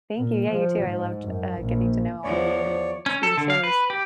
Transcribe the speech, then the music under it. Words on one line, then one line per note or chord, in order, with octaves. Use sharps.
Thank you, yeah, you too, I loved, uh, getting to know all of you sh your shows.
A#2
F3
G#2
F#2
A#1
E2 F3 C#5 D5
C#4
A4
D3
F5
B4
G4